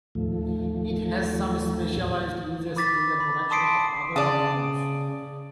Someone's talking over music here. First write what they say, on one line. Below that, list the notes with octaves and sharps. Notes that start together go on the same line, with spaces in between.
It has some specialized uses in the production of other compounds.
D#2 A2 F3 A3
B5 D6 A6 B6
B5
A5 C6 D#6 B6 C7 D7
C#3 D5 A5 D#6